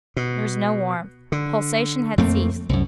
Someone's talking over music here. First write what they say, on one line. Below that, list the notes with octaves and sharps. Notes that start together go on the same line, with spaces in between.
There was no warmth. Pulsation had ceased.
B2
D3
F2 A3 A#3 C4
C2 F#2